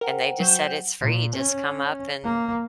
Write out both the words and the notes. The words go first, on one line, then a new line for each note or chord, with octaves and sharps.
and they just said "It's free, just come up and"
A#4 C5 F#5 G5
F#3 G6 E7
A#2
C#4
A#3